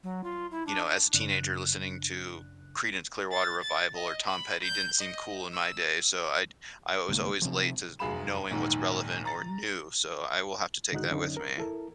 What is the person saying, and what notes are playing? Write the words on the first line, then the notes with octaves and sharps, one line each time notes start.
you know, as a teenager listening to Creedence Clearwater Revival or Tom Petty didn't seem cool in my day so, I'd I was always late to kn knowing what's relevant or new so, I will have to take that with me.
F#3
F4
E4
D4
F#2 C#3 D4 F#6
A6
A6
D#5
B5
G6
D#5
E6
C2 G#2 D3 A#3
C3 F3
F1 F#2 G#4 F5 B5 E7
A#1 D#2 G#2
A#5 A6
C#2 G#2 D3 D#4 F#4 F#6
F#2 D3 C#4 D#4
A#4
E4 A4 A#4